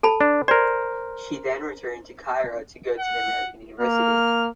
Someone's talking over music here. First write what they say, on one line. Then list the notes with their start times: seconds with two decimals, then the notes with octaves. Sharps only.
She then returned to Cairo to go to the American University.
0.03 A4 A5 B5
0.21 D4
0.48 A#4 C5 D5
2.99 F#5
3.80 A#3 F6